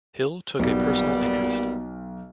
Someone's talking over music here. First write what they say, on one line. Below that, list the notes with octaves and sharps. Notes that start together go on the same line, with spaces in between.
'Hill took a personal interest.
B1 A#2 G3 B3